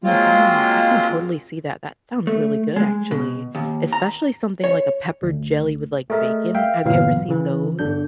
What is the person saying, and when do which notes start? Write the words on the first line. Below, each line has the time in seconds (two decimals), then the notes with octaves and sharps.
Mhm. I can totally see that, that sounds really good, actually. Especially something like a pepper jelly with, like, bacon. Have you ever seen those?
0.04 F#3 G#3 A#3 C4 F4
2.27 A3
2.76 G#3
3.11 B2
3.55 D#2
3.93 A#5
4.64 C#5
5.22 D2
6.10 A3 G#4 A#4 D#5 E5
6.55 E5 F5 G5
6.85 G1 A#2 E3 F#3 B3 F5
7.29 C#3 E3
7.79 G1 D3 D4 G6